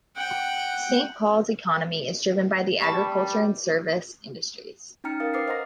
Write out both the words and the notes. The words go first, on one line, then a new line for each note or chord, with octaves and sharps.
Saint Paul's economy is driven by the agriculture and service industries.
F#5 G5
G3 A5 B5 C#6
C#4 D#4 G5 A#5 F6 C#7
A#4 F5 D#6 A6
B4 C5 D6 D#6 F6 C7
C5 D#5 F#5 A#5 C6 A#6